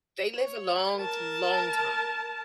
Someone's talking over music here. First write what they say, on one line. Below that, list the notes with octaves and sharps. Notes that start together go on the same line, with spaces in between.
They live a long, long time.
C#5
A#4 A5